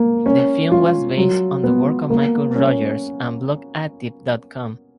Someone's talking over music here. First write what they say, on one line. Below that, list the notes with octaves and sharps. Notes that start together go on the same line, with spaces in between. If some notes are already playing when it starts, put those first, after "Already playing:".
The film was based on the work of Michael Rogers and BlogActive dot com.
Already playing: A#3
C#4
F4
F#3
B3
A#3
C#4